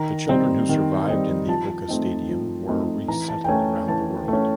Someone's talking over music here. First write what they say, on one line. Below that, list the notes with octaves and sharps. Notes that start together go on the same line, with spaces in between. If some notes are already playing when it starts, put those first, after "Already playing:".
The children who survived in the oca stadium were resettled around the world.
Already playing: D#3 A#5
G3 C4 D#4
D#3
G3 C4 D#4
F3 A5
A3 C4 D#4
F3
A3 C4 D#4
E3 A#5
A5
G5
A3 C#4 G#5
E3 A5
A3 C#4